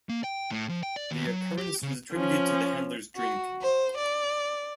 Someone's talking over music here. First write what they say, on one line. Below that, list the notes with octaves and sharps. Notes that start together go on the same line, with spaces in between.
The occurrence was attributed to the handler's drinking.
A#3
G5
A2
F3
G5
D5
D#2
F#3
G4
C#3
F3 C#4
F#4
C5
D5